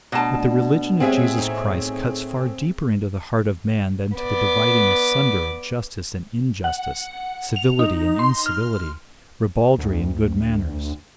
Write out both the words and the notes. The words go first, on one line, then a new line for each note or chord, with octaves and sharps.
But the religion of Jesus Christ cuts far deeper into the heart of man than to the dividing asunder of justice and injustice, civility and incivility, ribaldry and good manners.
D2 B2 D4 A5
G3 G#3 C4 C#4 G#4 E5
A2 E3 D#4
B3 D5
F#5
F7
D#4
C6
F6
D2